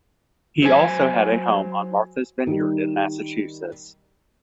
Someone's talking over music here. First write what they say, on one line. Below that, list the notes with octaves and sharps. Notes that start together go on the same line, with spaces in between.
He also had a home on Martha's Vineyard in Massachusetts.
F#3 C5 G#5
D#3 G3